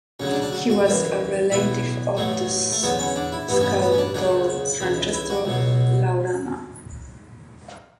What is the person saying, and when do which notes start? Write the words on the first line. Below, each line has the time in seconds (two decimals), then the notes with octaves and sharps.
He was a relative of the sculptor Francesco Laurana.
0.20 D2 C#3 F#3 C#4
0.31 D4
0.42 D4
0.52 F#4
0.70 F#4
0.85 F#2 E3 E4
1.51 B1 A2 E3 E4
2.17 A1 A2 F#3 A3
2.72 A3
2.83 E2 D3 F#3 B3
2.99 C#4
3.16 D4
3.32 E4
3.49 A1 G2 E3 B3
3.61 C#4
3.65 B3
3.82 B3
3.92 C#4
3.98 D4
4.14 C#2 C#3 F#3 D4
4.80 C#2 C#3 E3
5.13 E4
5.30 F#4
5.45 C#2 B2 F#3